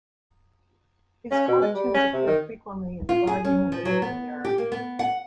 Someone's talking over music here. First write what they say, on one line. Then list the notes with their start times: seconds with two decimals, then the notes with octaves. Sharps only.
His cartoons appear frequently in "The Guardian" and the "Daily Mirror".
1.31 C#4
1.48 B2
1.61 G#3
1.74 G3
1.94 C#4
2.13 C3
2.27 D#3
3.09 F4
3.27 G#4
3.45 C#4
3.72 F3
3.85 F#3
4.02 B3
4.44 G4
4.58 A#3
4.72 B3
4.99 F#5